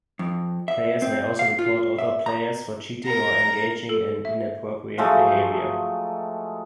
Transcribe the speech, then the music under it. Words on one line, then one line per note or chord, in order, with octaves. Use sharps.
Players may also report other players for cheating or engaging in inappropriate behavior.
F2
E5
C4
F5
F4
E5
A#5
A#4 A#5
A4
E5
F3 F#3 G#3 A3